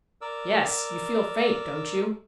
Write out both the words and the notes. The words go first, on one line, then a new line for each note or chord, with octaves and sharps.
"Yes; you feel faint, don't you?"
A#4 D5 E6